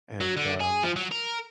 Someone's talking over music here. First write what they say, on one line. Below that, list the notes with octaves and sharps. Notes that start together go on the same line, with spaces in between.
and, um,
F#3
D3
G#4
F3
F#3
A#4